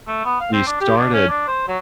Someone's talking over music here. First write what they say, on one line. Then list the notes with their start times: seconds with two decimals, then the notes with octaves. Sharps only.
she started
0.07 A3
0.25 B3
0.41 F5
0.52 C4
0.67 D4
0.81 G4
0.97 D4
1.13 C#4
1.29 D4
1.48 C5
1.68 F#3